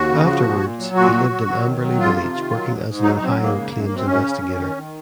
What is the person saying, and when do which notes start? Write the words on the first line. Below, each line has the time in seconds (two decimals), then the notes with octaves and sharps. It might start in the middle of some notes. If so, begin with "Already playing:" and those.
Afterwards he lived in Amberley village working as an Ohio claims investigator.
Already playing: D#2 F#4
0.09 C#3
0.27 F3
0.44 A#2
0.61 A#2
0.79 F#3
0.95 A#2 F#4
1.14 F#3
1.30 F#3
1.47 F#3
1.65 D#3
1.82 F#3
2.00 F2 F4
2.16 C3
2.34 D#3
2.52 F#3
2.68 G#2
2.86 G#2
3.02 F#3 D#4
3.16 D#4
3.20 F#3 C4
3.29 C#4
3.37 G#2 A#3
3.55 C#3
3.72 F#2
3.84 A#3
3.89 F#2
3.95 C4
4.06 F#2 C#4
4.23 C#3
4.41 F#2
4.58 D#3
4.76 D#3